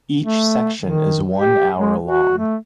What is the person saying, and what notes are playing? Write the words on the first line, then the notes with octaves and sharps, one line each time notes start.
Each section is one hour long.
A3
D#3
G4
G#3
F#4
A3